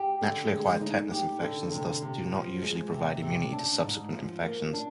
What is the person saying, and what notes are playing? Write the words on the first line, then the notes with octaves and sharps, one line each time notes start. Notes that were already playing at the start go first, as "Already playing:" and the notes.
Naturally-acquired tetanus infections thus do not usually provide immunity to subsequent infections.
Already playing: G4
D3
G#3
D#4
G4
D3
C3
C3
F3
G#3
C3
C3
D4
G#2
F3
A#3
D4